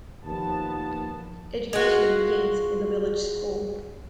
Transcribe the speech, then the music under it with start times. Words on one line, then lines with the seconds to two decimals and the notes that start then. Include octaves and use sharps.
Education begins in the village school.
0.25 D#2 F3 B3 A5
1.73 G#3 F4 F#4